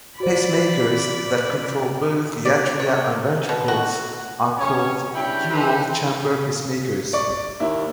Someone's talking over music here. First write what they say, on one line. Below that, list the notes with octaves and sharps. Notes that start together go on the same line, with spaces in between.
Pacemakers that control both the atria and ventricles are called dual-chamber pacemakers.
F#4 C5 D5 B5
D5
C#5
B2
F#4
C#4 C#5
G2 C#3 D4 E4 G5
D#4 G4 A4 B4 C5 E5
D5 C#6
D#2 E4